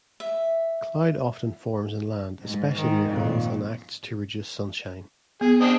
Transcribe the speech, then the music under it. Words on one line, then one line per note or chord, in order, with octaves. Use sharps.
Cloud often forms inland especially near hills, and acts to reduce sunshine.
E5
G#2
D#3
F2 A#2 D#3
B3 G#4
C4 D4 D#5